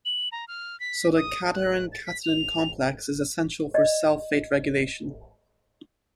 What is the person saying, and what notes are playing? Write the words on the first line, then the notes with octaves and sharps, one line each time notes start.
So the cadherin-catenin complex is essential for cell fate regulation.
F#7
A#5
F6
B6
D#6
F#6
A6
B6
F7
D5 D#5